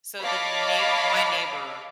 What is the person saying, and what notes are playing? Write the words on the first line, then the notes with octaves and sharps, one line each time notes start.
so, the neigh my neighbor
C#5 D#5 F5 A5 B5 D6